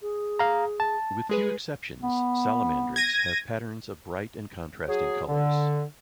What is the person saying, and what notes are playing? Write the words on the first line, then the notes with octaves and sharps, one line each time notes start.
With a few exceptions, salamandrids have patterns of bright and contrasting colours.
G#4
F5 A#5
A5
G#3 G#4 B4
B3
G#6 A#6 D#7
F#3 G#4
D3